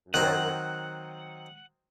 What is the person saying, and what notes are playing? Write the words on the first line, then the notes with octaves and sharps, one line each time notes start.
Right, right.
D#3 F#3 C4 F#5